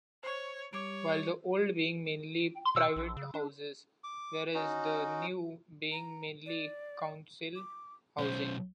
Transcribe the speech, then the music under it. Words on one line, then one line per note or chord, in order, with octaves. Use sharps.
With the 'old' being mainly private houses whereas the 'new' being mainly council housing.
C5 C#5 C#6
G3 C#5 D6 D7
B2
A#1
C#3
D4
D6
C#4 D#4 F#4
A#5
D5
D6
B1 C#4 C5